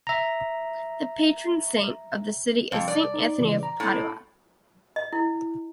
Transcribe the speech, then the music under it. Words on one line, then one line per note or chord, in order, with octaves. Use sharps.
The Patron Saint of the city is Saint Anthony of Padua.
E5 A#5
C2 F2 A5
D5
D#4
A#2 C#3 E3
A#5
A2
D#5
E4